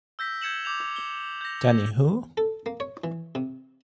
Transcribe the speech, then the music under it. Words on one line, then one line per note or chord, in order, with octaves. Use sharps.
Dani Who?
E6 G6 A#6 B6
G6 G#6 C#7 E7 F#7
D6 G6 F7
G7
G6 A#6
A4
A#3
C#5
E3
C3